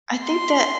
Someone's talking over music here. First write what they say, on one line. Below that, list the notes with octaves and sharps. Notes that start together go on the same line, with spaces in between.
I think that
C6